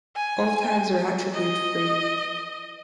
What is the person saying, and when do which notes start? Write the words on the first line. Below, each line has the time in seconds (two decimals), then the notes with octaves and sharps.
All tags are attribute-free.
0.16 G#5
1.33 D#5